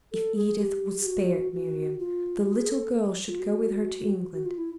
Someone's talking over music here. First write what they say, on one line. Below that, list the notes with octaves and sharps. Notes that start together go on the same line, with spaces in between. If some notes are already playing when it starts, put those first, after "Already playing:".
If Edith would spare Miriam, the little girl should go with her to England.
A4
G#4
G4
G4
F#4
F#4
F4
F#4
G#4
A4
F4
F#4
F#4
F4
E4